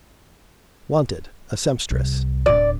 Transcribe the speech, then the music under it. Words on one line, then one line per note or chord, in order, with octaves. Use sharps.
Wanted, a Sempstress!
C2
D1 D4 D5